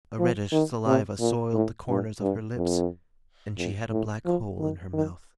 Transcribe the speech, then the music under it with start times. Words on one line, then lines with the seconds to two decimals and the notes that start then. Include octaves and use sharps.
A reddish saliva soiled the corners of her lips, and she had a black hole in her mouth.
0.19 F3
0.52 D#3
0.86 C3
1.20 A#2
1.54 A2
1.88 G2
2.21 G2
2.56 F2
3.57 F2
3.91 A2
4.26 F3
4.60 D#3
4.93 D#3